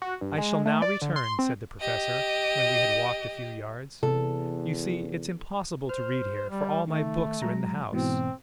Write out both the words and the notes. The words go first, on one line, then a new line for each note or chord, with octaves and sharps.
"I shall now return," said the Professor, when we had walked a few yards: "you see, it's impossible to read here, for all my books are in the house."
F#4
G2
G#3
A3
D5
D3
C6
C4
G4 D#5
E2 C3 A4
C5 F6
G3
D#3 A3
F#3 G#3 A#5
G#2 B2 E3 C4